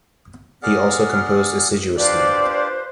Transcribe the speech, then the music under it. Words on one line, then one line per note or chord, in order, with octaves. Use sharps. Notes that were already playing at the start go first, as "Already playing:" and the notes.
He also composed assiduously.
B3 G#4 A#4 D5 F#5 F6
D4 F4 G4 B4 C5 D5